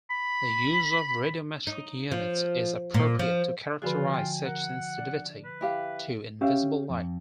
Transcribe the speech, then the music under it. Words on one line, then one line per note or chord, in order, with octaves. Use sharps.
The use of radiometric units is appropriate to characterize such sensitivity to invisible light.
B5
D#4
F3
A#2
F3
D3 F3 F4 F#4 G#4 B4
G5 G#5
A#4 F#5
D4
B4
E4 G4 F5
C#4 G4 E5 F5
F2